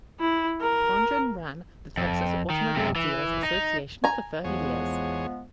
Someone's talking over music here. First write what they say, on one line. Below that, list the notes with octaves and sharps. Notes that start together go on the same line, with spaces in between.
Fondren ran the Texas Automobile Dealers Association for thirty years.
E4
A#4
F2
D#3
F#2 C3
E3
D#4
G#5 A#5
E2 F3 G#3 B3 G#4 C#5